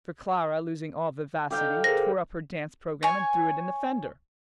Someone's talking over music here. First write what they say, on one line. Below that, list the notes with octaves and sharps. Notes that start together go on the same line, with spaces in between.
For Clara, losing all vivacity, tore up her dance programme and threw it in the fender.
D3 D#4 G4 F5 G5
G#4 A#4 C5 A#6
C#5 G#5